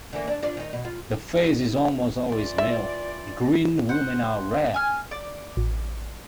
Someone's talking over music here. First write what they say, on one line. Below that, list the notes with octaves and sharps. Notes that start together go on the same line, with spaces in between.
The face is almost always male; green women are rare.
D3 E3 A#3
D4
D4 F4 D5
D#3 D#4
B2
F4
E3 F4 D5
E5
C5 F#5
G#5 F6
D5
A1